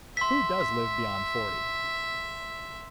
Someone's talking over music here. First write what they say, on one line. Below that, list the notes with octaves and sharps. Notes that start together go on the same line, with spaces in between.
Who does live beyond forty?
E5 C6 B6